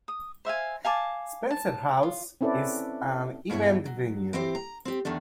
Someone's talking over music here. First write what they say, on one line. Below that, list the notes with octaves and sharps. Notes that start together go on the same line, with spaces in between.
Spencer House is an event venue.
D#6
C5 E5 F5 G#5
F5 G#5 A5 D6
A5
F4
C4 C#4 E4 A4 B4 D5
G2 B2 E4 A#4 C#5
F#3
E3 C4 G4 C5
A#5
C4 G4
E2 D#3 A3 D4